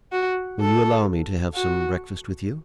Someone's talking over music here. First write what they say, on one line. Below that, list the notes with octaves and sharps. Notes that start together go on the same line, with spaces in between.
"Will you allow me to have some breakfast with you?"
F#4
A4
F#4